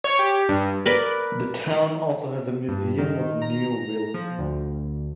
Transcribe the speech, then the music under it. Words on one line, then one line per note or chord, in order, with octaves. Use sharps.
The town also has a Museum of Neo-Realism.
C#5
G4
G2
A#4 B4 D5
G2
D#3
A#5
F3
D2